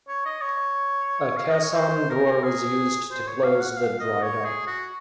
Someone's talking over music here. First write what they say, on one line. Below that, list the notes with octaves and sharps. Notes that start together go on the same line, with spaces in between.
A caisson door was used to close the dry dock.
C#5
D#5
C#5
F5
D#5
C#5
C5
A#4
G#4
C5
C#5
F5
F#5
F5
D#5
C#5
G#4
F#4